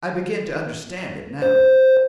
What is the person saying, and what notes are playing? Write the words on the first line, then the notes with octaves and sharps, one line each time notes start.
"I begin to understand it now."
C5